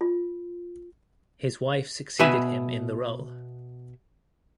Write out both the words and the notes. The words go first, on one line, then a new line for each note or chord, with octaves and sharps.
His wife succeeded him in the role.
F4
B2 B4 E5 G#5 B5